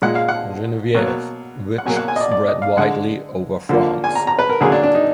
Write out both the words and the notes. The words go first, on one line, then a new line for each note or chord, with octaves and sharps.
Genevieve, which spread widely over France.
A#2 G#3 F#5
F5
F#5
B2 F#3 A#3
F#5
B2 F#3 A#3 G#5
F#5
G#5
D#5
D5
D5
D#5
F5
D3 G#3 F#5
D3 F3 A#3
G#5
A#5
A#5
B4
A#4
D3 F#3 A#3 G#4
D4
D4
D#4